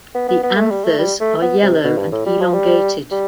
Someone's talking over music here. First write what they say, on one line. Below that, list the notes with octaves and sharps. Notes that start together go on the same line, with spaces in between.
The anthers are yellow and elongated.
B3
B3
B3
A3
G3
A3
G3
A3
B3
C3
B2
G2
A2
G3
F3
G3
G3